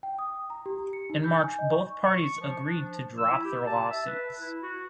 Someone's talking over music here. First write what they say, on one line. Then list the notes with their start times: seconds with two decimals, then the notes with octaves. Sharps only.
In March both parties agreed to drop their lawsuits.
0.03 G5
0.19 D#6
0.50 A#5
0.66 G4
0.93 C#7
1.10 D#4
1.24 G6
1.44 G#5
1.59 D#5
1.73 C#6
2.06 C#6
2.40 F3
2.63 D4
2.81 F3
3.18 E6
3.31 E4
3.45 G4
3.67 A5
3.90 E5
4.07 B4
4.40 E4
4.63 F#4